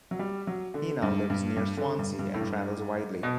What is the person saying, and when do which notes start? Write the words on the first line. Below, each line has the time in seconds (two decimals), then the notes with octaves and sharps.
He now lives near Swansea, and travels widely.
0.11 F#3
0.19 G3
0.47 F#3
0.74 D3
1.02 G2
1.30 G2
1.57 G2
1.77 D3
1.99 G2
2.19 G2
2.34 A2
2.41 G2
3.23 B2